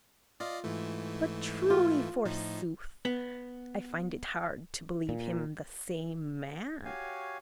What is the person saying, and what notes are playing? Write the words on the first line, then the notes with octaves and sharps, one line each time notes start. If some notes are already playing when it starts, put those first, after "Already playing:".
But truly, forsooth, I find it hard to believe him the same man.
F4 D5 D#5 F5
G#2 E3 A3
F4
A2 F3 D#4
B3
A#2
F#4 G4 C#5 F5 G#5